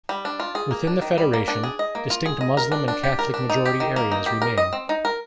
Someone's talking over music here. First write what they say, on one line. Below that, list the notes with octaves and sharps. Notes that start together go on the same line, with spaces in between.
Within the Federation, distinct Muslim and Catholic majority areas remain.
G3
D4
F4
G#4
A#3
D4
D#3
G3
A#3
D4
G#4
D#5
A#3
F4
G#4
D#5
A#4
D4
D4
G4
A#4
D4
D#4
G4
D#3
A#3
D#4
G4
A#4
D#5
C4
D#4
A#4